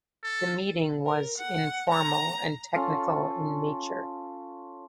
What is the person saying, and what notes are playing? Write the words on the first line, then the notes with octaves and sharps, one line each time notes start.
The meeting was informal and technical in nature.
A4
A#4
F#5
A#5
C#4 F4 A4